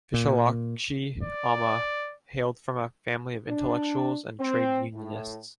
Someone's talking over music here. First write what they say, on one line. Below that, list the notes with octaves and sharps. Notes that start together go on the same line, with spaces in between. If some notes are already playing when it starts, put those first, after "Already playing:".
Visalakshi Amma hailed from a family of intellectuals and trade-unionists.
A#2
D5
D4
C4
A2